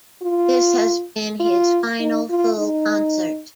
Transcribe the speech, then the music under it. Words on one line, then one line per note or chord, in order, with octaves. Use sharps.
This has been his final full concert.
F4
F4
D#4
F4
D#4